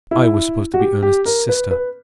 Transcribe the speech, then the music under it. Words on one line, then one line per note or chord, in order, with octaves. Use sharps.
I was supposed to be Ernest's sister.
E4
F#4
G4
G4
A#4
B4
B4